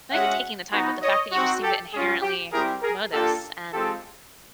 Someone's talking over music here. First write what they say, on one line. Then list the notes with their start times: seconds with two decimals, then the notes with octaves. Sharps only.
not even taking the time, but the fact that you just seem to inherently know this and
0.11 G#3 C#4 F#4 E5 F#5
0.72 B3 D#4 F#4
1.02 C#5 D#5
1.32 C4 D#4 F#4
1.62 G4 A4
1.92 G#3 C#4 F4 G#4
2.22 G4
2.52 G3 C4 E4 G4 G#4 A#4
2.82 G#4 A#4
3.12 A#3 D4 F4 G4 A4
3.72 G#3 C4 F4 G4 A4